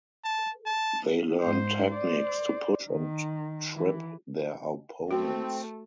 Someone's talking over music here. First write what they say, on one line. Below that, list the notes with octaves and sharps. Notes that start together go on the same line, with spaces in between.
They learn techniques to push and trip their opponents.
A5
A5
G#2 C5
C5 D5
D#3
E3
A3 C4 F#4